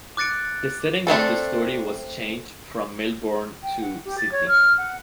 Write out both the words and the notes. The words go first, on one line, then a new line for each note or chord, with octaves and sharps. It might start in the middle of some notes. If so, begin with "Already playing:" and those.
The setting of the story was changed from Melbourne to Sydney.
D6 F#6 A6 C#7 D7
A3 C4 D4 A4
G5
F#5
G4
A6
C#5
F6
F#5